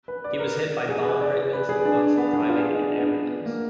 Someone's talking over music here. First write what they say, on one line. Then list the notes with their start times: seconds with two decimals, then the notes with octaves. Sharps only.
He was hit by bomb fragments whilst driving an ambulance.
0.08 B4
0.24 D5
0.39 A#4
0.89 G#4
1.05 B4
1.21 D5
1.53 B4
1.69 G#4
1.85 D4
2.18 B3
2.33 D4
2.49 F4
2.58 G#4
2.74 D#4
2.82 D4
2.98 B3
3.46 A#3